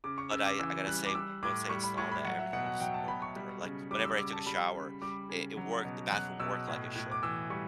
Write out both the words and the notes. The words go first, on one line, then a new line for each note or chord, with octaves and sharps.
but I I gotta say, once I installed that, everything was working per like, whenever I took a shower, it it worked. The bathroom worked like it should.
C#3 D6
C#6
C#3 E6
D6
E3 E6
G3 F#6
D6
G3 E6
A2 D6
G3 C#6
B5
A2 C#6
B5
F#3 F#5
E5
B2 F#5
F#5
F#3 G5
A5
B2 B5
C#6
G3
C#3
G3 D6
E6
C#3 D6
A5
G3 B5
C#3
G3 D6
C#3
F#3
B2
F#3 F#6
B2 E6
A2
A2
D6
E3 E6
G3 C#6